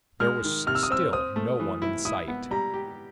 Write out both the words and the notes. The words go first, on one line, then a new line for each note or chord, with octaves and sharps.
There was still no one in sight.
G#3 F6
D#3
C3 F6
E6
D#6
C4 E6
C4 D#6
A3
E3
E4
E4 D#6
B3
G3 A#5
G4